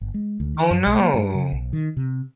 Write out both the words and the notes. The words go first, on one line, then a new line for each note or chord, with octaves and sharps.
Oh, no.
G1
G#3
D2
D#3
F#2
B1
A#3
G2
C#3
B1
D#3
C3